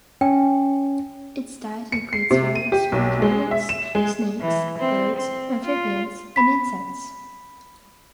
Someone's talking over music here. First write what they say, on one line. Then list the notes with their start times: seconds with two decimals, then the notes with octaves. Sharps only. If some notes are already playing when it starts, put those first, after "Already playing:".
Its diet includes various small rodents, snakes, birds, amphibians, and insects.
0.21 C#4 G5
1.92 C#7
2.13 C7
2.31 C3
2.55 D#7
2.72 G4
2.92 B1
3.22 G#3
3.51 E5
3.69 E7
3.95 G#3
4.41 E3
4.79 C4
5.17 C4
5.65 F4
6.36 B5 B6